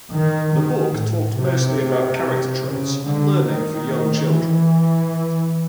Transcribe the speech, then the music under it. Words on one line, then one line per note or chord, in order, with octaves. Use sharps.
The book talked mostly about character traits and learning for young children.
D#3
D#3
A2
C3
C#3
D3
D#3
E3